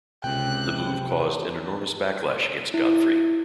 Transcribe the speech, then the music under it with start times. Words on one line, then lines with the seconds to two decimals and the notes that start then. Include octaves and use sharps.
The move caused an enormous backlash against Godfrey.
0.24 C#2 C3 G5 F#6
2.74 E4